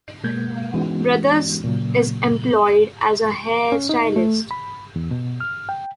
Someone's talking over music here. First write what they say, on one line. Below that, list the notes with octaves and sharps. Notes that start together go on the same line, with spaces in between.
Brothers is employed as a hair stylist.
B2 G#3 A#3 G6 G#6
E3 G#3 B3 C#4 D#4 F#4
A#2 C#3 F#3 A#3
C#4
D#4
A3
B5
E2
B2
F6
G5